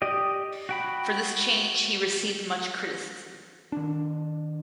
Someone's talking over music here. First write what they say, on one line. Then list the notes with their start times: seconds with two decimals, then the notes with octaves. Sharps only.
For this change he received much criticism.
0.02 G4 D5 D#5 D#6
0.69 F#4 G5 B5
3.72 D#3 D4